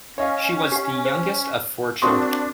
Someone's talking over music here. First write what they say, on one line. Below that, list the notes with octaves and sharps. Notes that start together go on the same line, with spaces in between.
She was the youngest of four children.
C#4 C#5 D#5 F5
G4 F#5
C5
A#3 C4 D4 F#4 C6 C#6 D#6